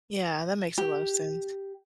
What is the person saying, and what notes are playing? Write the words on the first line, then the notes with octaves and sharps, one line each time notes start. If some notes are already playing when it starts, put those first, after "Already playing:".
Yeah, that makes a lot of sense.
G4